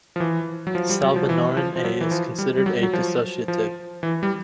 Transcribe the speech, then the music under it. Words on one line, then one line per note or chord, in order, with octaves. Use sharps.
Salvinorin A is considered a dissociative.
F3
E3
F#3
F3
G3
F#3
F3
E3
F3
F3
F#3
E3
F3
G3
G3
F#3
F#3
F3
F3
E3
G3